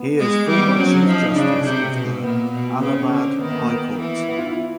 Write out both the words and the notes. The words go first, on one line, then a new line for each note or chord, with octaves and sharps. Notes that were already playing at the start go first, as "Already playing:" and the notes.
He is former Chief Justice of the Allahabad High Court.
Already playing: B3
G#3
G3
B3
C4
F#3 C#4
F3 D#4
D#4
C#3 D4
C3
B2
A#2 B3
B2
C#3 B3
C4
C#4
D3
D#3 B3
B3
A#3
B3
E3
B3
F4
E4